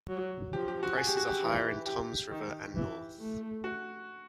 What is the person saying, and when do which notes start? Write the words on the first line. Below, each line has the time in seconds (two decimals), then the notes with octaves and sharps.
Prices are higher in Toms River and north.
0.09 F#3
0.53 F3 G4
0.68 G4
0.83 F#4
0.97 G#4
1.07 G4
1.17 F#4
1.27 G4
1.42 E3
1.86 G4
2.31 D#3
2.75 E3
3.20 A3
3.64 F#4